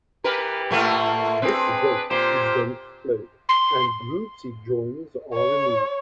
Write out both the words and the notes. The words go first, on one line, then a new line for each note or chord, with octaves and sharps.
This goat is then followed and groups it joins are removed.
E3 G4 A#4 B4
A2 A3 A#3
C4 D4 G#4 B4
A#2 G4 C5
C6
C#5